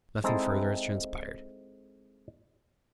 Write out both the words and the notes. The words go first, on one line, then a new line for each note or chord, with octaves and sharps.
Nothing further has transpired.
G#3 C4 D#4 E4 A4